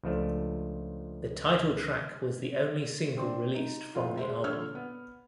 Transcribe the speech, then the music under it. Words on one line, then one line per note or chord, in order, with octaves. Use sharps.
The title track was the only single released from the album.
C#2 F3 A3 D4
C4 D4
D#4
F1 A2 F4
G#3 C5 E5
A#2 D3 C#5 E6 F6
B3